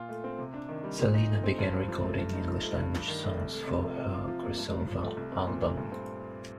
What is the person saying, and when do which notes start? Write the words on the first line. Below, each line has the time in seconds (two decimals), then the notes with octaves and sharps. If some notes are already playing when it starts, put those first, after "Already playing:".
Selena began recording English-language songs for her crossover album.
Already playing: A#2 F4
0.09 A3
0.24 C4
0.39 C3
0.54 D4
0.69 D#3
0.84 G3
0.99 A#2
1.14 D#4
1.29 A3
1.44 C4
1.59 G2
1.73 C4
1.88 F3
2.03 A3
2.18 G2
2.33 D#4
2.48 F3
2.63 A3
2.78 G2
2.94 D4
3.08 D#3
3.23 A3
3.38 C2
3.53 A3
3.68 C3
3.82 F3
3.98 C3
4.12 F4
4.28 F3
4.43 A#3
4.58 G2
4.72 G2
4.87 F3
5.02 A3
5.17 C2
5.32 C4
5.47 A#2
5.62 A3
5.77 G2
5.92 C4